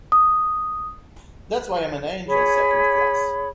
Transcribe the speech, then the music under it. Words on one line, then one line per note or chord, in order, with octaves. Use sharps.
That's why I'm an angel Second Class.
D#6
G#4 C#5 B5